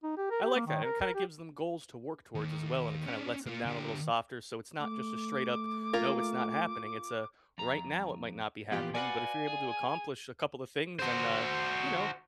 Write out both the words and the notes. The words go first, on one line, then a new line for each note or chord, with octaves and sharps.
I like that, and it kinda gives them goals to work towards as well, and it kinda lets ‘em down a little softer, so it's not just a straight up, "No, it's not happening." It's a, "Right now, it might not be happening, but if you're able to accomplish a couple of things and, uh, you know,
D#4
G4
A#4
G4
A#3
D#3
A#4
A#4
G4
D#2
C#4 D4
A#3 F4
D3 G4
A3 D6
A#3 F4 A#4
F2 A#5
A#2 E3 F3 B3 F4 G4
F#4 A4 B4 D5 F5 F#5 G#5
G#4
F#4 C5